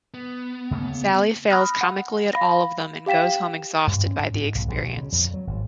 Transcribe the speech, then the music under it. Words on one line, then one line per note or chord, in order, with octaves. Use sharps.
Sally fails comically at all of them and goes home exhausted by the experience.
B3
C#3 A3 A#3
B5 D#6 F6 F#6 A#6
F#5
F5 B5 A#6
G4 F5 G5 B6 E7
G2
C#4
G#2
G#2
B1
A#1
B2
C#3
F2
F#3
G#1